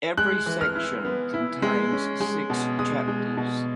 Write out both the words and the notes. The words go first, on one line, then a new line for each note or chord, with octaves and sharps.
Every section contains six chapters.
G#3 F#6
E3
F6
E4
B3
E4
G#3
C#4
G#3
B2
G#3 D#6
G#3
B2